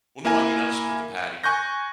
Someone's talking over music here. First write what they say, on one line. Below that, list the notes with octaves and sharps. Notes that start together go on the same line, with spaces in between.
Well, no, I mean, I'll just put the patty in
A#3 E4 A#4 G#5
G#5 C#6 F#6 G6 A#6